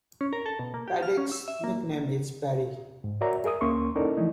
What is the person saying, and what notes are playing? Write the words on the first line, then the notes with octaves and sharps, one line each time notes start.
Paddick's nickname is Paddy.
C#4
A#4
A4
B2
A#3
G4
F6
C#4
E6
E5
A#3
G#2
F#4 A#4 C#5 D5 E5 A#5
G#4 A#4 E5 D#6
D2 A#3 C#4 C6 C#6
C#4 D#4 E4 A4 A#4 D5
E3 F3 A3 D#4 E4